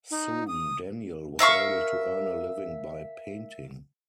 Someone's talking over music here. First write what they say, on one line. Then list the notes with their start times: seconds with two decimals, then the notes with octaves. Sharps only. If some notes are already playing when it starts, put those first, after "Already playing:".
Soon Daniel was able to earn a living by painting.
0.11 D#4
0.48 D#6
1.39 A#4 E5 F5 C#6